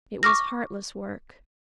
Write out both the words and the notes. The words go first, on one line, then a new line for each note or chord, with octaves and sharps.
It was heartless work.
C#6 D6 F6 A#6